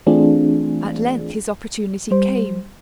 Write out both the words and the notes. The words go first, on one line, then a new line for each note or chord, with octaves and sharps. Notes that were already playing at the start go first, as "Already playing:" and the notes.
At length his opportunity came.
E3 A3 C4 D4 F4 G#4
G3 C5